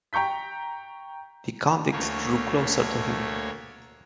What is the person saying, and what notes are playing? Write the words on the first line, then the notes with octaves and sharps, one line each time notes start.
The convict drew closer to him.
G5 A#5 C#6 G6 B6
D2 A3 A#3 C#5